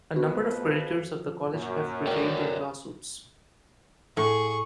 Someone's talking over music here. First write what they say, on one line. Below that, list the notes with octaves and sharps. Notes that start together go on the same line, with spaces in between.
A number of creditors of the college have prevailed in lawsuits.
F2 B3 F#4 B4
F3
F#2 A#2
D2 A#4 C#5 D5 G5
A2 G#4 C#6